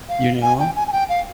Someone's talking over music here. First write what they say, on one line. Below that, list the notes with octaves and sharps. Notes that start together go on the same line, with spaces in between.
you know?
F5
G#5
G5
G#5
G#5
G5
F5